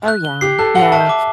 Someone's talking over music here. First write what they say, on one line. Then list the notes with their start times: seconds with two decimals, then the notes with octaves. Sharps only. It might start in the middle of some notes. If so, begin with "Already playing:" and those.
Oh, yeah. Yeah.
0.08 F#6
0.25 G7
0.41 G4 C7
0.59 A4 F#6
0.75 F#5 G7
0.92 E5 A5
1.09 D6